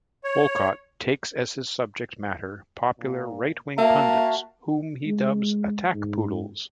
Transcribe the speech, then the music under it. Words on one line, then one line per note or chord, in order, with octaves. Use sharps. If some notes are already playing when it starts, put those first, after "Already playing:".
Wolcott takes as his subject matter popular right-wing pundits whom he dubs "attack poodles".
C#5
A#2
A#3 F#4 E5 A5
G#3
G#2